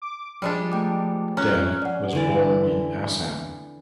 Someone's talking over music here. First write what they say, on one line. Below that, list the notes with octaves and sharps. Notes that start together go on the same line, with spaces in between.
Dev was born in Assam.
D6
F3 G3 G#3 D4
A3 G5 D6
C#4 A#5 F#6
D5 F#5
D3 E3 D5